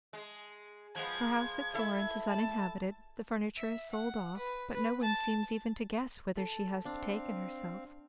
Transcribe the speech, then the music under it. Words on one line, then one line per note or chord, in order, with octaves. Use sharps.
Her house at Florence is uninhabited, the furniture is sold off; but no one seems even to guess whither she has betaken herself.
G#3
F3 G#3 B3 G#6
E4 A4 E5
A5
E5
F#5
B4
B4
A5
A4
C4 D4 F5